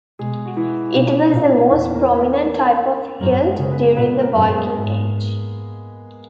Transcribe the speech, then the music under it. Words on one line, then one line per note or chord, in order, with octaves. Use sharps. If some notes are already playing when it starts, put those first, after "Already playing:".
It was the most prominent type of hilt during the Viking Age.
B2 G#3 G#4
F#4
E3 E4
B2 D#4
D#4
A#2
D#4
E2 E3 E4
A#3 A#4
B4
A#3 A#4
A#3 A#4
F#2 A#3 A#4
G#3 G#4
C#3
B3 B4
A#2 B3 B4
A#3 A#4
F#2
G#3 G#4
G#2